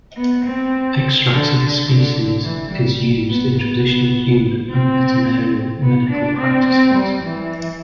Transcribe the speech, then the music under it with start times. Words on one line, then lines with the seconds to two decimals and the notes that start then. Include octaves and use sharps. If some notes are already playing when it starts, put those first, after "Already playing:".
Extracts of the species is used in traditional human and veterinary medical practices.
0.17 B3
0.45 C4
1.31 D3
1.86 D3
2.43 E3
2.71 G3
3.28 B3
3.55 B3
4.69 C4
5.82 B3
6.10 D4
6.38 C4
6.67 C4
6.94 G3
7.23 E3